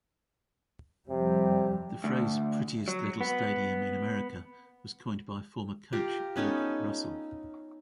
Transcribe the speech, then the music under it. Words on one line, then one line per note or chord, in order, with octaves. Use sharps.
The phrase "Prettiest Little Stadium in America" was coined by former Coach Erk Russell.
F2 C3 G3
D2
F#3
B3
F4 G4 A#5
B3 C#4 D#4 A4